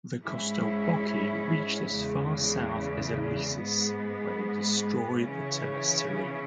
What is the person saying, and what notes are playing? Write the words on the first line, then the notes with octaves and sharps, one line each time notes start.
The Costoboci reached as far south as Eleusis, where they destroyed the Telesterion.
G#2 G#3 C#4 E4
E2 C#3 G#3
G#2 G#3 B3
C#3 E3 C#4